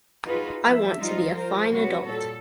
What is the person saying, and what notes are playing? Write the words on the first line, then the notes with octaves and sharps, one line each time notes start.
I want to be a fine adult.
D#4 F4 F#4 G#4 B4
F3 E5
F3 G3 D#4 F4
F4 A#4 C5
C3 G3 F#4 B4 C#5
A#2 A4